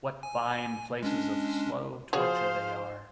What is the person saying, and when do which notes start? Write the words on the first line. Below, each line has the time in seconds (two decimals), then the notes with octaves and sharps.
What fine places of slow torture they are!
0.23 G#5
1.03 G#3 C#4 D4
2.13 F3 F#4 G#4 C5 C#5 F5 G#5